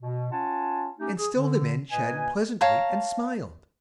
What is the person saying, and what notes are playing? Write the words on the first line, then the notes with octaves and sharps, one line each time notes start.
And still the men chatted pleasantly, and smiled.
B2
C#4 F4 F#5 G#5 A5
A3 C#4 D#4 G4
G#4
D3
A#2 A#3 B4 D#5 G#5
C#5 F5 A5 A#5